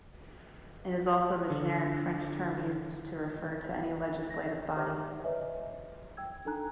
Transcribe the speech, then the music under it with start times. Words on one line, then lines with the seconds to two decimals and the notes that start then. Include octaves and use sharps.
It is also the generic French term used to refer to any legislative body.
1.50 D3
4.30 A#6
4.76 G4 C5 D5 E5 D6 F6
5.24 B4 C#5 D#5 E5 G#5
6.17 G5 E6 G#6
6.45 D4 D#4 A4 G#5 A#5 F#6